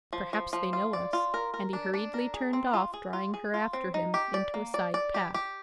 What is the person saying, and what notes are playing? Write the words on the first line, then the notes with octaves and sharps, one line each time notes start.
"Perhaps they know us!" and he hurriedly turned off, drawing her after him into a side path.
F3
F3
F3
F4
D5
F4
A#4
A#4
D4
D4
A#4
G#4
C4
F4
G#4
F4
G#4
F4
C4
D#4
G4
D5
A#3
D5
D5
G4
G4